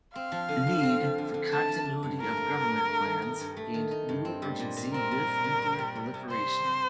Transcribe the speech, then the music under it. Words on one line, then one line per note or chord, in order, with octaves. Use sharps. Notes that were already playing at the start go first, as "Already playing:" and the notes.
The need for continuity-of-government plans gained new urgency with nuclear proliferation.
C4 F5
F3
D3
D3
C4
F3
D3
D3
A3 A5
F3
D4
G2
A3 A#4
F3
D4
G2
A3
D#3
D#4
G2
A3
D#3
D#4
G2
C4
G3
A#2
A#2
C4 A#4
G3
A#2
A#2
C4
G3
C3
C3
C4 C5
G3
C3